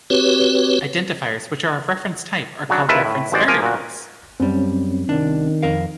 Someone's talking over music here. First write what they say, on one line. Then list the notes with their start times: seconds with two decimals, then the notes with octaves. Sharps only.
Identifiers which are of reference type are called reference variables.
0.10 C4 F#4 G4 B4 C#5
2.69 C#3 F#3 D4 F#4
2.89 D#2 E4 F4 B4 E5 A5
3.04 A2
3.32 A1 G#3 F#4 C5 D5 G5
3.48 F3 A#3 A#4 G#5
3.62 A#2 F#4
4.40 F#2 G3 C4 C#4
5.09 C2 D#3 D4
5.63 F2 A#4 F5